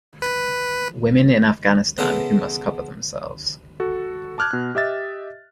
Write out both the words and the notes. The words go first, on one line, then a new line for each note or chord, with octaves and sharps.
Women in Afghanistan who must cover themselves.
B4
C#3 E3 B3 A4 C5 A#5
F#4 A4
A5 D6 F6 F#6 G#6
B2 F#6
G4 D#5 E5 A6